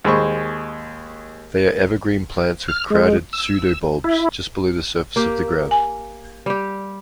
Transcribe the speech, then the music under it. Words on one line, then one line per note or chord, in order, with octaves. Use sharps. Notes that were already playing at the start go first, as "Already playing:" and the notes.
They are evergreen plants with crowded "pseudobulbs" just below the surface of the ground.
D#2 G#3 C5 B5 C#6
F6
G#3
E6
E4
A#3 G4
G#5
G3 G4